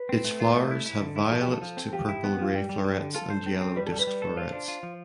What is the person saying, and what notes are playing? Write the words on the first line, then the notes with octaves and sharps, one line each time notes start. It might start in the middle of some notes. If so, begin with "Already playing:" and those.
Its flowers have violet to purple ray florets and yellow disk florets.
Already playing: B4
C4
A3
F4
A3
E4
E4
D3
E4
F3 A4
G4
F3 A4
F3
C4
F3 G4
E4
B3
F3 F4
G3 G4
G3
G3
D3
F4 A4
C5
C4
C4
G3 B4
A4
G3
B4
G3
A4
F4 C5
D4
F4
F3